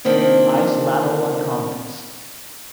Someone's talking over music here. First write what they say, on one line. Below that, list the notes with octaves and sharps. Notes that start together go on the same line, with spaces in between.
Eyes lateral and convex.
C3 D#3 F3 A#3 C4 D4